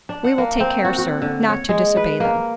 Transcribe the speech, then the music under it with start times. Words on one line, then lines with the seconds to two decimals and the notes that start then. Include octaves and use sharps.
"We will take care, Sir, not to disobey them."
0.09 D4
0.24 F#5
0.38 A#3
0.60 C4
0.85 F#4
0.98 F#4
1.22 D3
1.49 C#5
1.69 G#3
1.97 B4
2.20 A#3